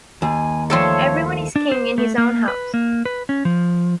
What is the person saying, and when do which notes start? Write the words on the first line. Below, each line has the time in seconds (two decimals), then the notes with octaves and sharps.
Everyone is king in his own house.
0.22 D#2 G#5
0.70 F3 G3 A3 A4 C#5 E5 C6
1.56 D4
1.72 C5
1.98 A3
2.18 A#3
2.48 B4
2.74 A#3
3.05 B4
3.29 C#4
3.45 F3